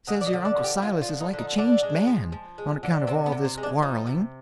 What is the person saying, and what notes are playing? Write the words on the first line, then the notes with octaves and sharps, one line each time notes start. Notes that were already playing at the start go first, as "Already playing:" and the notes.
Says your uncle Silas is like a changed man, on account of all this quarreling.
D3 D#5
D5
D#5
D3
D5
F3
G4
D3 F4
F4
F3
D#4
D3
D#4
D3 D4
G#3
F3
F3
G#3
D3
C3 C4
B3
C3
C4
G#3
D4
F3 D#4
C3